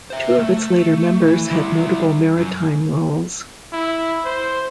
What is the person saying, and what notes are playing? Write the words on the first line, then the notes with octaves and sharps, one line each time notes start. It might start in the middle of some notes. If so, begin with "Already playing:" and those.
Two of its later members had notable maritime roles.
C5 E5
A3
E3
G3 E4
F#2
E4
C5